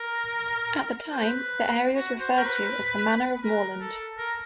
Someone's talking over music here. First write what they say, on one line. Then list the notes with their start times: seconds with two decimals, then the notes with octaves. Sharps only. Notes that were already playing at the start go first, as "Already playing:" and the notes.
At the time, the area was referred to as the "Manor of Mooreland".
Already playing: A#4
1.12 C5
1.22 B4
1.96 F#4
2.20 C5
2.38 A#4
2.45 B4
3.44 A#4
3.81 A4
4.18 A#4